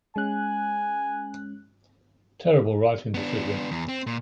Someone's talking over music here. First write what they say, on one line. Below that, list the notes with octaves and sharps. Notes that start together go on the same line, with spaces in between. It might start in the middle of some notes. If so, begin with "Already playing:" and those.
Terrible writing decision.
G#3 C#4 G#5 F#6
B3 D4
E2
C4
A#2